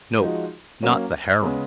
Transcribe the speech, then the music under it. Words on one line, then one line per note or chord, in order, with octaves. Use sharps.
Nope, not the harem.
F3 G#3 D#4 F#4
F#3 A#3 C#4
C#3 G#3 B3